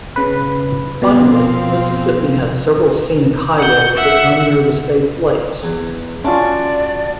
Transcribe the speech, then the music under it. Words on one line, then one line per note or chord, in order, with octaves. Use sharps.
Finally, Mississippi has several scenic highways that run near the state's lakes.
C#3 B4
B2 F3 C4 F5
F#5 G6
E5 F#5
E2
C#4 D4 F4 F#4 D5